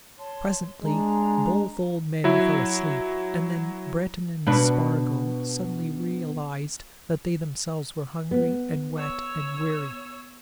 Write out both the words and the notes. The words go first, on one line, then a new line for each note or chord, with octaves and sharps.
Presently both old men fell asleep, and then Breton and Spargo suddenly realized that they themselves were hungry and wet and weary.
C#5 A5 C6
G#3 D4 A#5
F#3 E4
B2 D4 B4
B3
C#5 E6